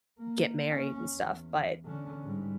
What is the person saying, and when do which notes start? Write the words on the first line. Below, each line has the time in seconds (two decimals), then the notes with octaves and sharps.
get married and stuff, but,
0.19 A#3
0.68 A#3 C#4
1.12 E2
1.85 D3 C#4
2.24 G#2 G3